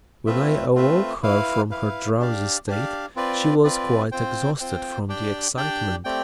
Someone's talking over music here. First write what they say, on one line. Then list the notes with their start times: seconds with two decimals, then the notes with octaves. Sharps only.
When I awoke her from her drowsy state, she was quite exhausted from the excitement.
0.26 A3 C4 F4 B4 E5
0.75 A3 C4 F4 B4 E5
1.23 E4 B4 F5
1.71 E4 B4 F5
2.19 D4 G4 D5 F5
2.67 D4 G4 D5 F5
3.16 C4 F4 B4 D5
3.64 C4 F4 B4 D5
4.12 C4 F4 C5 G5
4.60 C4 F4 C5 G5
5.09 D4 G4 D5 G5
5.57 D4 G4 D5 G5
6.04 A3 C4 G4 D5 G5